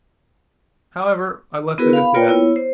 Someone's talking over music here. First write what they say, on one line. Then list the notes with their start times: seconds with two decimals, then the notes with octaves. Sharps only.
However, I left it at that.
1.78 B3 E4 F#4 G#4 A#4 B4
1.93 F5 B5
2.14 A#3 F4 A#4 B4 C#5 G5
2.28 B3 E4 C#5
2.56 C5